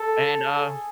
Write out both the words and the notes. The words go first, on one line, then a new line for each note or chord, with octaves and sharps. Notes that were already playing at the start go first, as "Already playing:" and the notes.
And, uh
Already playing: A4
G#4